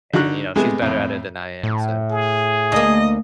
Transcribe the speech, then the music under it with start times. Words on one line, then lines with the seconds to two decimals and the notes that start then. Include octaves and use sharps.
and, you know, she's better at it than I am, so
0.13 D3 D#4 F#4 F#6
0.56 C3 G#3 A3 B3 G#4 B4
0.82 F2 A2
1.63 A2
2.10 G#4
2.72 D2 A#3 D#5